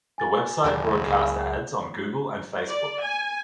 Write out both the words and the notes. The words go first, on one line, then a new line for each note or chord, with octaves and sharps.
The website broadcast ads on Google and Facebook.
G#5 A6
F#1 D#2 B2 D#3 G3 A#3 D4
C#2 G#4 G#5
D5
G#5